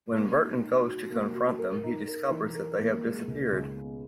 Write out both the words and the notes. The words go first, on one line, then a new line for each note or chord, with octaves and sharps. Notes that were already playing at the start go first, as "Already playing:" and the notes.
When Burton goes to confront them he discovers that they have disappeared.
A#3
D#4
D#4
F#4
A#3
F#4
A#4
D#4
A#4
E3
A#4
A#3
G#3
C#2
C#2
B2